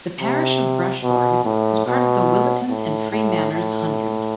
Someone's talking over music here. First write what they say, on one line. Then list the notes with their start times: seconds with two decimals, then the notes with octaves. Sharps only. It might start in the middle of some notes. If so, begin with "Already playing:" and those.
The parish of Brushford was part of the Williton and Freemanners Hundred.
0.20 C3
1.03 B2
1.45 A2
1.86 B2
2.70 A2
3.11 A2
3.53 A2